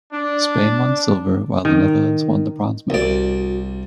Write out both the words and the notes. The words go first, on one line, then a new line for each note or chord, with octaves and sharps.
Spain won silver, while the Netherlands won the bronze medal.
D4
D#3
C2 F#4 D5